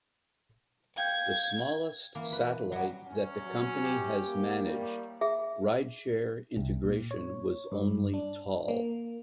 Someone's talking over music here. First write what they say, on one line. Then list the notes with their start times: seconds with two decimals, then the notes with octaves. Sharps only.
The smallest satellite that the company has managed rideshare integration was only tall.
0.97 F5 G5 G6 G#6
2.15 E3 A#3
2.32 B4
2.72 F#3 G3
3.07 E2 C#4
3.44 F#3
3.84 G4
4.26 A#3
4.63 A2 G3
5.21 G#4 E5
6.57 C2
6.83 A#2
7.11 C#5
7.72 G2
8.14 D4
8.68 A#3